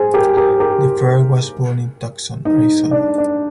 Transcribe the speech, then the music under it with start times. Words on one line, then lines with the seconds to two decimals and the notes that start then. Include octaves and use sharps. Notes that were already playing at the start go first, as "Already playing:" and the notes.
DeFer was born in Tucson, Arizona.
Already playing: G#4 C5
0.14 G4 A#4
0.37 G4 A#4
0.60 G4 A#4
2.45 D#4
2.91 D4
3.18 D4